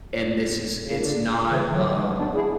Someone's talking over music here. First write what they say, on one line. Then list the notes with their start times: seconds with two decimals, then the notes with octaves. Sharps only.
and this is it's not, um,
0.84 C#3
0.95 D3
1.47 C#3 E3
1.67 E3
1.74 D3 F#3
2.00 E3 G#3
2.17 B3 D4
2.35 E4 G#4